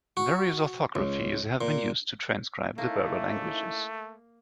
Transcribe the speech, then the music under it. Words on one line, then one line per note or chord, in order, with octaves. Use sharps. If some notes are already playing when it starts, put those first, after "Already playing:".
Various orthographies have been used to transcribe the Berber languages.
F#4
C#2
A#2
A3 A#3 C#4 D#4 E4